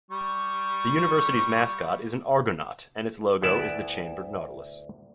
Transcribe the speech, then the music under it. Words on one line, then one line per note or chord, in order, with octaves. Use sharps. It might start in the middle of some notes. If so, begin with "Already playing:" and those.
The university's mascot is an Argonaut and its logo is the Chambered Nautilus.
G3 C#6
D2 B3 E4 D5 E5 A5